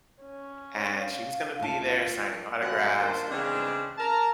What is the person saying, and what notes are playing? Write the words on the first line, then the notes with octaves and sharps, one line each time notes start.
and she was gonna be there signing autographs and, you know,
C#4
F5
D2 F4 A5
F#2 B2 F3 G3 A3 F#5
D#3 G3 A#3 D4 F4 C5
C#3 E3 G#3 C4 D4
A#4 A5 A#5